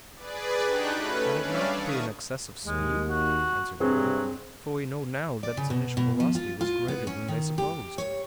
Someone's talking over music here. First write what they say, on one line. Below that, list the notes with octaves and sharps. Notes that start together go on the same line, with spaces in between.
"Might it not be an excess of speed?" answered Nicholl; "for we know now that its initial velocity was greater than they supposed."
G#4 B4 D5
D4 D#4 F#4 G4 G5 F#6
A3 C#4 B4
G3 C#4 D4 D5 E5 F5
D3 D#3 C#6 D#6
D#2 G#3
F#4
G2 C3 F#3 C4 G#4
D5
C#3
B2
B2
F3
F4
F4
B3
C#4
D#3
G4
C#5